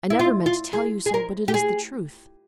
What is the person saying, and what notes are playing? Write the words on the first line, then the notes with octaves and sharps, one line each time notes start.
I never meant to tell you so, but it is the truth.
E4
F4
F4
G#4
G#4
A#4
G4
G#4